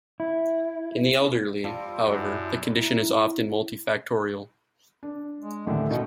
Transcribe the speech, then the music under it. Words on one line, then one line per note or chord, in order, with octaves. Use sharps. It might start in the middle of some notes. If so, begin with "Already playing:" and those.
In the elderly, however, the condition is often multifactorial.
E4
F3 G3 C4 F4
F#2 E4 F#4
E4
D4
G#3
D#2 A2 D3 E3
B2 D#4